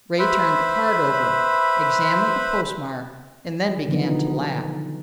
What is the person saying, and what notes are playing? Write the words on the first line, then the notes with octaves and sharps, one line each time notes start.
Ray turned the card over, examined the postmark, and then began to laugh.
B4 C5 E5 B5
D3 D#3 F3 F#3 B3 D#4